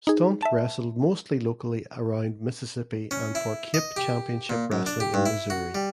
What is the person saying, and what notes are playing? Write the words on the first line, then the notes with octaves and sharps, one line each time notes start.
Stunt wrestled mostly locally around Mississippi and for Cape Championship Wrestling in Missouri.
D#4 G#4
E5 A5
C#4
E4
D#5
G4
A#2
F#2
D4
G4
G2
E4
F#4
G3